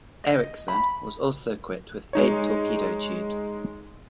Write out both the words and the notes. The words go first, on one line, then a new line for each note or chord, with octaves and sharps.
"Ericsson" was also equipped with eight torpedo tubes.
D#5
B5
G#3 D#4 C#5